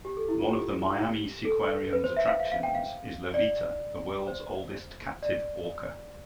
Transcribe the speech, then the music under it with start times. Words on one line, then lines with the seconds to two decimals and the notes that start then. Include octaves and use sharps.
One of the Miami Seaquarium's attractions is Lolita, the world's oldest captive orca.
0.05 G4
0.17 A4
0.28 E4
0.39 F4
0.51 G4
1.45 A4
1.93 B4
2.04 C5
2.17 E5
2.28 F5
2.40 F5
2.52 F5
2.63 G5
2.75 F5
3.34 D5
4.28 C5
5.23 D5